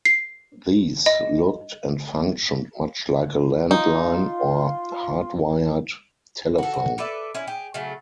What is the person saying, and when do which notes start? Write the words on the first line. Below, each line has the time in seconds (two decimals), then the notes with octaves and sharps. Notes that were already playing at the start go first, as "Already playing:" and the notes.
These looked and functioned much like a landline, or hardwired, telephone.
0.05 C7
1.06 D#5
3.71 D#4 F4
6.58 F#4 A4
6.74 F#4
6.98 A4 B4 D5 E5
7.34 C#4 E4
7.47 G4 G#4
7.74 C#3 F#3 A3